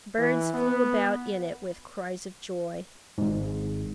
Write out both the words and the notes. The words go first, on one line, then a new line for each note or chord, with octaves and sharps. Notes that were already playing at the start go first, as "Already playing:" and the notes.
Birds flew about in it with cries of joy.
E3
B3
G#1 G#2